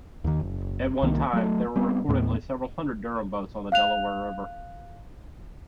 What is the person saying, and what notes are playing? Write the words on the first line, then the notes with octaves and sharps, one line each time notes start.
At one time, there were reportedly several hundred Durham boats on the Delaware River.
D#2 D#3
F#1
C2 D#3 A#3
F#3 A3
G3 B3 C4
D#2 A2 G#3 B3
F5 F#6 F7